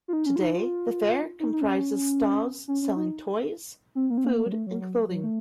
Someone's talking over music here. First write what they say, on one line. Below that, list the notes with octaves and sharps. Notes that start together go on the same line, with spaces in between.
Today the fair comprises stalls selling toys, food and clothing.
F4
D#4
C#4
F4
D#4
F4
D#4
D#4
C#4
C#4
C#4
D#4
C4
A#3
C4
A#3
A#3
F#3
A3
F#3
F#3
F#3
A3